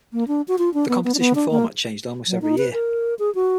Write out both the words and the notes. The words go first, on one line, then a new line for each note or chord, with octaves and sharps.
The competition format changed almost every year.
A#3
D4
F#4
F4
D4
B3
B3
D4
B3
D4
A#3
F#3
D#4
B4
A#4
G#4
F#4